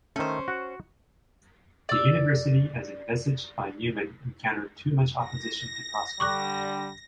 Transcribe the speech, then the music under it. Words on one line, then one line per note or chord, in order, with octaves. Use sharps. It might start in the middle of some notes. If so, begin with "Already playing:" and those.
The University as envisaged by Newman encountered too much opposition to prosper.
D#3 A3 C#4 C5
F#4 F#5
D5 E6
A#6
D3 G3 C#6 D6 F#6